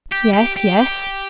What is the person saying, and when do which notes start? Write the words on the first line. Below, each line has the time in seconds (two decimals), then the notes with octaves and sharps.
"Yes, yes!"
0.12 G4
0.34 G4
0.56 G4